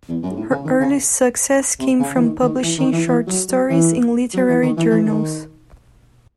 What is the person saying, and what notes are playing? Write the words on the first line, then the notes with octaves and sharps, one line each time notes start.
Her early success came from publishing short stories in literary journals.
E2
F#2
G#2
A2
C#3
D#3
C#3
C3
C#3
E3
D#3
D#3
E3
D#3
E3
E3
F#3
F#3
E3
F#3
E3
D#3
E3
E3
D#3